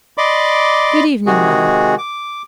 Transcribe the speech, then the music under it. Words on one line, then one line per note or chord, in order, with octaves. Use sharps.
'Good evening, Mother.'
D5 D#5 B5 C6 D6
C3 D#3 G#3 F#4 G#4
D6